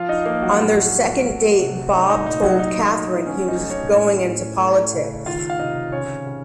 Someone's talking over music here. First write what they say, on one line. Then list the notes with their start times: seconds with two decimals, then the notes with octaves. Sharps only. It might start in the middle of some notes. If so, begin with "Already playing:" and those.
On their second date Bob told Catherine he was going into politics.
Already playing: F3 F4 F5
0.09 D#4 D#5
0.26 F3 A#3 A#4
0.42 F#3 F#4
0.59 A2
0.93 A3
1.26 A3
1.59 C3
1.93 A3 D#4
2.10 D#4
2.26 A#2 D#4
2.42 F#3 F#4
2.59 F#3 D#4
2.93 A3
3.26 F#3 C#4
3.48 D#4
3.59 A3
3.70 C#4 C#5
3.92 A2
4.27 A2
4.59 A3
4.93 C#3
5.26 D#3 F4 F5
5.50 F5
5.59 C3 D#4 D#5
5.92 C#3 C#4 C#5
6.26 C#3